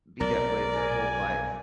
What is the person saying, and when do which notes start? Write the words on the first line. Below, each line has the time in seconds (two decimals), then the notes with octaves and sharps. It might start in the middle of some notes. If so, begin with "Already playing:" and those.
be that way their whole life,
0.20 B1 A#4 D5
0.76 G#5